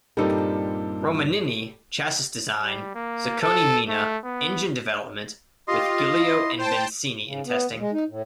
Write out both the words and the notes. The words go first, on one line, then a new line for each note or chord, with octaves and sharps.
Romanini, chassis design, Zaccone Mina, engine development, with Gilio and Bencini in testing.
G2 A#2 G3 C4 D#4 A4 A#4
G3
A#3
A4
A3
B3
F4 G4 D#5 C6
E4
C5 G5 A5
C#3
B3
D#2
G#3
D#4
A2